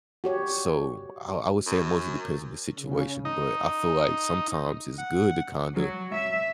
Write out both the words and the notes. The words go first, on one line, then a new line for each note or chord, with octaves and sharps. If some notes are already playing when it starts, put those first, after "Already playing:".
So I I would say it mostly depends on the situation, but I feel like sometimes it's good to kinda,
F#4 G4 C#5
F#2
C#3
D#4
F#5
F#3
E5